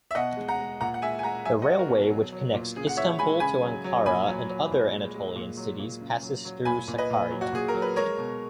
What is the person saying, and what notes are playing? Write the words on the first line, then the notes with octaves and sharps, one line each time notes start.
The railway which connects Istanbul to Ankara and other Anatolian cities passes through Sakarya.
E5
B2 D#5 F#5
G#3
F#5 A#5
G#3
A#2 F#5 A#5
F#5
G#3 E5 G#5
G#5
G#3 F#5 A#5
F#3 E5 G#5
D#5 F#5
F#3
F#4 A#4
B2
F#3
F#3
A#2
C#3 G#4
F#5
E3 C#5 E5
G#3 G#5 B5
C#3 G#5 B5
F#3
F#3
A#2 G#5 B5
F#3
F#3
A#2
G#3
G#3
A#2
F#3
A#2
C#3
F#3
F#3
A#2 G#5 B5
A#2
B4 D#5
A#2
F#3
F#4
A#2 G#4
A#4
F#3
B4
G#3 A#4 C#5
B2